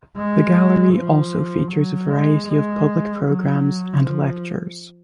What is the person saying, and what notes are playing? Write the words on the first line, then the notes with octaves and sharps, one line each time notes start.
The gallery also features a variety of public programmes and lectures.
G#3
F3
F#3
G#3
G#3
F#3
F3